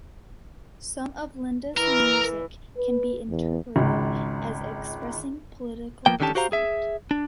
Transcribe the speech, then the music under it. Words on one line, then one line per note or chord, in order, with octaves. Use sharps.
Some of Linda's music can be interpreted as expressing political dissent.
E3 A#4
B4
E2
G#1 C#2
F3 A#3 G5
D3 D#3 C#4 G4 A5
F#4 G4 C5 F5 A#5
G#4 E5
D4